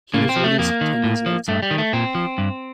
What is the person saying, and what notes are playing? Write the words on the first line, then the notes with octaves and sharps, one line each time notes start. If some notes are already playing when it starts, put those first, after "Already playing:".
He was released ten years later.
A2 A#3
C4
F3
A3
F2 A#3
D#3
A2
F3
G2 A3
G3
D#3
A3
A#2 C4
F3
G2